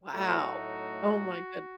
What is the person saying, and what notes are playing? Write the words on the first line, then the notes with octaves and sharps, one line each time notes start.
Wow. Oh my good
A2 F#3 A3 D#4 F#4